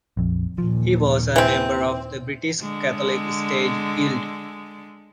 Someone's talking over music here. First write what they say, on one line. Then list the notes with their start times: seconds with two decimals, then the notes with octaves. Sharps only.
He was a member of the British Catholic Stage Guild.
0.17 A#1 F2
0.58 D#2 A#2 F3
1.36 E3 C4
2.61 D3 G#3